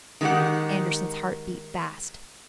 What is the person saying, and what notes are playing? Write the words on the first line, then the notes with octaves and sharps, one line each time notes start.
Andersen's heart beat fast.
D#3 G#3 B3 G4 F#5